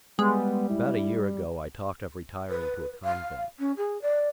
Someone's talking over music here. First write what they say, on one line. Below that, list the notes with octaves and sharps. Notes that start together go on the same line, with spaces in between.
About a year ago, I talked of retiring to a convent.
G3 G#3 B3
E4
B4
F5
C#4
G#4
D5